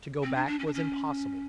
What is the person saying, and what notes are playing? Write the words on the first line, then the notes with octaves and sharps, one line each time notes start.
To go back was impossible.
C4
D4
D4
C#4
D4
C#4